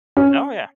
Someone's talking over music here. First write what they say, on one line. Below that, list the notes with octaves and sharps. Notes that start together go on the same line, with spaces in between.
Oh, yeah.
C#4